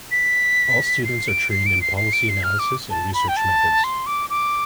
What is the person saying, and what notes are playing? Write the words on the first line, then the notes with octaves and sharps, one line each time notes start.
All students are trained in policy analysis and research methods.
B6
C7
D7
C7
D7
C7
C7
D7
C7
F6
D6
A5
B5
G5
A5
C6
D6
D6